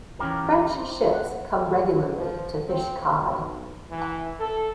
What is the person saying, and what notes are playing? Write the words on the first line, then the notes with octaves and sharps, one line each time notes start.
French ships came regularly to fish cod.
E3 C#4 F4 G4 A#4
C4
F#5
F3
C4
B1
E3
A4